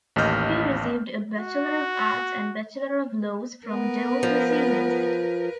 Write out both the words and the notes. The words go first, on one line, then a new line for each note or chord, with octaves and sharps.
He received a Bachelor of Arts and Bachelor of Laws from Dalhousie University.
A1 D#2 D#5 F6 G6
F#4
B3 A#4 B4
F3